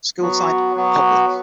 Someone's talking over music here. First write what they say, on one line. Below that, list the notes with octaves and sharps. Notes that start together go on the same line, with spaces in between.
School type: Public.
F#3 B3 F#4
F#3 B3 F#4